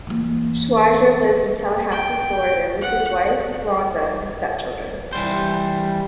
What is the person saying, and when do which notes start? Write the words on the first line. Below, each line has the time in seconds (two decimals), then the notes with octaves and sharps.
Schweizer lives in Tallahassee, Florida with his wife, Rhonda, and step-children.
0.07 E3 A#3
1.91 G5
2.82 F#5
5.13 E3 G3 C5